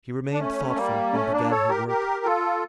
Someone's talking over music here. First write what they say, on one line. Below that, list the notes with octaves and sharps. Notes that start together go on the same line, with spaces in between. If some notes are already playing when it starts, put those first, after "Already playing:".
She remained thoughtful, and began her work.
D4
A3 C#4
G3 A#3
A3 C#4
A#3 D4
A4 C#5
G4 A#4
G4 A#4
F4 A4